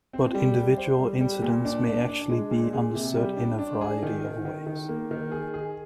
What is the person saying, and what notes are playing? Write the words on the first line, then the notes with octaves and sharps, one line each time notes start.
But individual incidents may actually be understood in a variety of ways.
C4
G3
G3
C5
G3
G3
A#2
D4
D4
D4
G#3
A#2
G#4
C3
G3
D4
D4
G#4
D#3
D#3
D#3
D#3
A#3
D#3
G#4
G#4